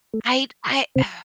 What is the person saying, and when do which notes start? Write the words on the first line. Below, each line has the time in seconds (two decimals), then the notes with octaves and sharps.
I I Ugh.
0.14 A3
0.96 C3 C4